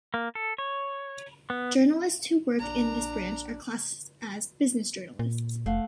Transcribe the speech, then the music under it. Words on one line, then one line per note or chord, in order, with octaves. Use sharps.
Journalists who work in this branch are classed as "business journalists".
A#3
A4
C#5
B3
A#1 D4 A#5
A#2
F1 A3 F5 F#5